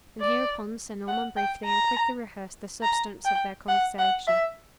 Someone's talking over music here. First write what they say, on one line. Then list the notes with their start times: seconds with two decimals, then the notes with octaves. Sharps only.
And hereupon Sir Norman briefly and quickly rehearsed the substance of their conversation.
0.21 D5
1.08 F#5
1.37 G5
1.66 A#5
2.83 A#5
3.25 G5
3.69 F#5
3.99 F#5
4.28 E5